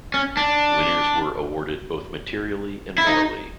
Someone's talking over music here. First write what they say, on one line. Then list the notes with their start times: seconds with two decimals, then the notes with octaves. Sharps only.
Winners were awarded both materially and morally.
0.14 C#4
0.37 D4
2.98 E4
3.07 D#4